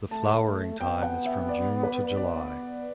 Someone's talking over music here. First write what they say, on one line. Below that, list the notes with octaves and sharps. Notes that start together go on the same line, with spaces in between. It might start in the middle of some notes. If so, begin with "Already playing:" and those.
The flowering time is from June to July.
A3 A5
B3 G5
F#5
E5
D5
B4
B3 D5